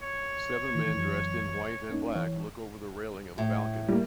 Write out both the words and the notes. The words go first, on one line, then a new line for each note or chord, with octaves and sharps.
Seven men dressed in white and black look over the railing of a balcony.
C#5
D#3 E3
F#2 E3 F#3
A#3 C#4 D#4
E3 C#5
A2
G3 A#3